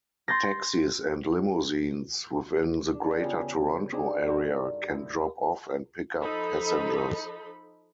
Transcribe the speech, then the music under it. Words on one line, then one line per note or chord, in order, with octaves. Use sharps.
Taxis and limousines within the Greater Toronto Area can drop off and pickup passengers.
C6 G6 A6 A#6
D4
E2 C#3 F4 G4 G#5 A5
D4 D#4 G4 G#4 C5
G2 F#4 A4 A#4 A#5 C#6
D2 E4
F3 D#4 A4 B5